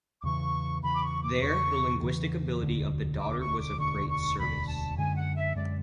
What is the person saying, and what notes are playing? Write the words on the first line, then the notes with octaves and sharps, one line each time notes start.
There the linguistic ability of the daughter was of great service.
D6
E2 C#3 E3 C#6
E2 C#3 E3 B5
D6
C#6
D6
E2 C#3 E3 C#6
E2 C#3 E3
E1 D2 D3
E1 D2 D3 D6
C#6
D6
E1 D2 D3 C#6
C#6
E1 D2 D3 B5
A5
F#2 D3 G#3 G#5
F#5
E5
F#2 D3 G#3 D5